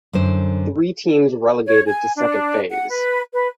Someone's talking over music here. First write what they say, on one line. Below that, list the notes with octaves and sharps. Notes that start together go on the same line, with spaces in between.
Three teams relegated to Second Phase.
F#2 D3 C5
C#5
G#5
D4
F#5
B4
B4